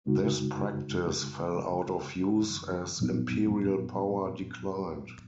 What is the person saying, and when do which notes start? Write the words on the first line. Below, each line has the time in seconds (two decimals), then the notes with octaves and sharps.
This practice fell out of use as imperial power declined.
0.07 C#3 G#3 D#4 F#4
3.00 A#2 F#3 B3 D#4